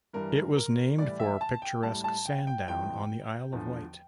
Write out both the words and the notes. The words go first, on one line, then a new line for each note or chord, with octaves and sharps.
It was named for picturesque Sandown on the Isle of Wight.
G2 E3 G3 A#4
A#4
A2 E3 G3 D5
E5
A5
G5
A2 G3 A5
A5
G5
G5
F2 E3 G3 G5
E2 D3 F3